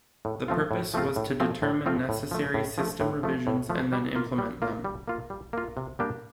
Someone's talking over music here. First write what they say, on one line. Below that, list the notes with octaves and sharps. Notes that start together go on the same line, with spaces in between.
The purpose was to determine necessary system revisions and then implement them.
A2
F3 A3 C4 F4
A2
F3 A3 C4 F4
A2
F3 A3 C4 F4
A2
F3 A3 C4 F4
A2
F3 A3
A2
F3 A3
A2
F3 A3
A2
F3 A3
G3
A#3 F4
G3
A#3 F4
G3
A#3 F4
G3
A#3 F4
C3
G3 A#3 D4 G4